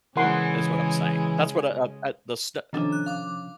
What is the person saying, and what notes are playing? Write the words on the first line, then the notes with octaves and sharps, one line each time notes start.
That's what I'm saying. That's what, uh uh, the Sn uh,
C#3 E3 G#3 A#4 F#5 C6
C3 D#3 F3 C#4 D4 A4
F#6
F5 D6